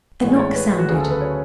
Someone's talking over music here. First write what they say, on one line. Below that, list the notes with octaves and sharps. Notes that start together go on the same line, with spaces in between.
A knock sounded.
A1 A2 G#3
D5
C#5
B4
F#4
D2 C#3 F#3 G#4
A4
B4
C#5